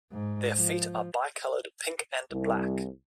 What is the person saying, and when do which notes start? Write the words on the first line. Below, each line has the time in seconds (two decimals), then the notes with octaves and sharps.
Their feet are bicolored pink and black.
0.12 G#2
0.56 F3
2.31 C2